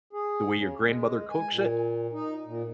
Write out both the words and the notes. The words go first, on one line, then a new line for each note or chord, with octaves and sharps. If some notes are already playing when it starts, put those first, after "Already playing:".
the way your grandmother cooks it?
G#4
C#3
G#3
G#5
A#2
D#4
A#2